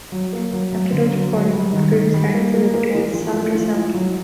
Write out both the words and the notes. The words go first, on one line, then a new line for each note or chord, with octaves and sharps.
After those recordings the group started to move towards a softer sound.
F#3
A#3
F#3
F#3
D3
F#3
F#3
G3
D#3
D#3
G3
A#3
A#3
A#3
E3
F3
A3
F3
E4
F#3